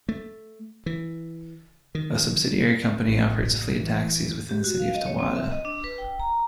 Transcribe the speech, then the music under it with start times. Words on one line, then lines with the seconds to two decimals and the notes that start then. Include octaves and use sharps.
A subsidiary company, operates a fleet of taxis within the city of Towada.
0.09 A3
0.86 E3
1.95 D#3
3.06 A1
3.40 F#1
3.77 E3
4.49 G4
4.64 F#4
4.79 F5
4.95 D#5
5.06 C#5
5.19 C4
5.35 E5
5.51 D#5
5.65 D4
5.84 B4
5.98 G5
6.20 A#5